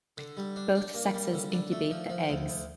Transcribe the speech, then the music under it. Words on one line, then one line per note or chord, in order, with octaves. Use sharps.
Both sexes incubate the eggs.
D3
G3
D4
D4
A#3
G3
D3
D4
A3
F3
F3
D2
D2